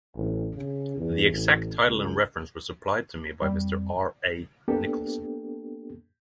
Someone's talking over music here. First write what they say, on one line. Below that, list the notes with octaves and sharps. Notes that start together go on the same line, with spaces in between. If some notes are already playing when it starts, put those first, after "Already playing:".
The exact title and reference were supplied to me by Mr. R. A. Nicholson.
A1
C#3
E2
A1
C#2
F2 G3
A#3 B3 D4 G4 A4